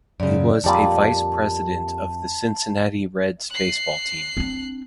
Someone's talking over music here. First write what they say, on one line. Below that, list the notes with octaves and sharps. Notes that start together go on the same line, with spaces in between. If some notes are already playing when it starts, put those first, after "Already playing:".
He was a vice president of the Cincinnati Reds baseball team.
F#2 C#3 D5
F2 A#2 G3 D#4 D5 A5
F#6 C7
C4 D4